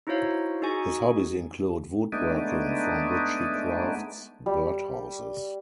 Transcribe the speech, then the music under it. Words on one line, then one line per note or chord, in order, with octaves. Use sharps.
His hobbies include wood working from which he crafts bird houses.
D#4 E4 F#4 C5 C#5 F5
D#4 F#4 G#4 G#5 C#6
G#3 A3 B3 D4 D#4
G3